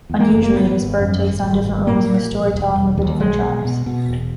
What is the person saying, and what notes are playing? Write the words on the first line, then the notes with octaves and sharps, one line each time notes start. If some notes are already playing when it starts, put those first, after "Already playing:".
Unusually, this bird takes on different roles in the storytelling of the different tribes.
E2
A#3
F#1
A#3
G#1 B3
G#1
F#2
G#1
G#1
G#1
A#2 A#3
A#2
A#1
E1
E1
D#2
B1 G#3
B2
B2
B2
E1